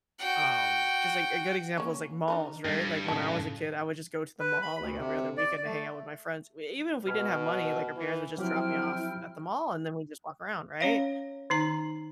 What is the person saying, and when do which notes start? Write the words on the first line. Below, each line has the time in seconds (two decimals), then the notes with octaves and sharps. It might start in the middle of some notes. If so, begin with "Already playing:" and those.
Um, just like, a good example is like malls, right, like, when I was a kid, I would just go to the mall, like, every other weekend to hang out with my friends, w even if we didn't have money, like, our parents would just drop me off at the mall and then we just walk around, right?
0.19 F#4 G5
1.78 A#3 C#4
2.28 D4 D#4 A#4
2.65 G2 D3 G3
3.08 A2 C#3 F3 A5
4.40 B4
4.62 B5
4.81 D2
4.98 C3
5.37 D5
5.66 A3
7.07 B2 G#5 B5 F6
7.96 E3
8.37 C3 F3 F#3 E4 G4 G5 F6
10.81 C#4 C#5 F5
11.50 D#3 D#4 A#5